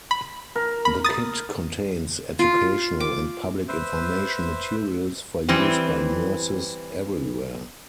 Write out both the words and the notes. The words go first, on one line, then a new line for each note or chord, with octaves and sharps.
The kit contains educational and public information materials, for use by nurses everywhere.
B5
A#4
B5
D#6 A6
F4
D6
B4 C5 E5
E3 G3 C4